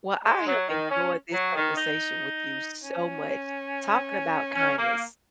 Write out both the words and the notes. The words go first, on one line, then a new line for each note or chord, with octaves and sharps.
Well, I have enjoyed this conversation with you so much, talking about kindness.
G#3
F#3
D#3
C#4
F#3
D#3
D#4
C#4
C#4
A#3